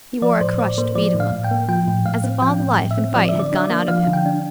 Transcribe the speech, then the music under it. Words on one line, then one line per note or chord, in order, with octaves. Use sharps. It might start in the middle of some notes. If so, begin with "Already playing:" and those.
He wore a crushed, beaten look, as if all the life and fight had gone out of him.
F3 D5
A2 C5
A2 D5
A#3 C5
F3 D5
A2
F5
A2
G5
A#3
F3 G5
A2
A2 F5
C4
F3 G5
A2
A2
E5
C4
F3 D5
D3 E5
D5
D4 E5
D5
A#3
F3 F5
D3
G5
D4